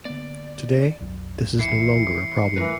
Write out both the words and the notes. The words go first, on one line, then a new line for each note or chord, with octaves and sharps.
Today, this is no longer a problem.
D3 A#3 B3 D5
B1 F2 F#3
E3 E4 E5 C7 C#7
G2 E3 F3 A3 A#4 B4